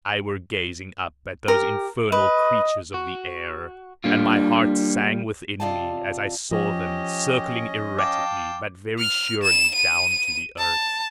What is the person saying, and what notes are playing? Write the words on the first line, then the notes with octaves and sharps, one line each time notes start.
I were gazing up at those infernal creatures of the air; and my heart sang within me as I saw them, circling erratically but very surely down to the earth.
G4 A#4
B4 D#5
F#4
G3 A#3 D4 F4
C3 F4 D5 D#5 G5 A5
F3 C#4 G4 D#5
F5 G5 A5 D6
F6
E7
D#7
A5